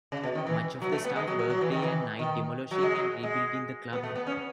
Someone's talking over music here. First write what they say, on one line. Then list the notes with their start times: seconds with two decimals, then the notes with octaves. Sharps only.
Much of the staff worked day and night demolishing and rebuilding the club.
0.12 C#3
0.23 B2
0.35 D#3
0.46 E3
0.82 F#3
0.92 A3
1.04 B3
1.16 G#3
1.28 F#3
1.39 F#3
1.50 F#3
1.61 E3
1.72 D#3
1.82 E3
2.19 D#3
2.71 F#3
2.83 G#3
2.95 F#3
3.23 G#3
3.93 B3
4.03 A3
4.16 B3
4.27 C#4